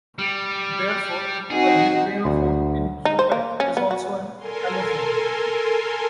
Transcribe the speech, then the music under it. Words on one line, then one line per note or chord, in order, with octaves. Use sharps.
Therefore, a Ukrainophone in Quebec is also an allophone.
G3
C4 D#4 F#4 G#4
D2
D#4
C5
A#3
C#4
B3
F#4
A4 A#4 G#5 C6